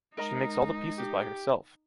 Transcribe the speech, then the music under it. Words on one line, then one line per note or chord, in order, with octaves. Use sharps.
She makes all the pieces by herself.
G#3 D#4 A#4 D#5 A#5
G4